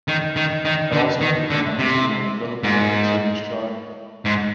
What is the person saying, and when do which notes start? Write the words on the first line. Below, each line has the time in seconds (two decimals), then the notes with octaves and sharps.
It also peaked at number two on the "Billboard Heatseekers" chart.
0.08 D#3
0.36 D#3
0.65 D#3
0.93 D3
1.21 D#3
1.50 D3
1.79 C3
2.63 G#2
4.25 G#2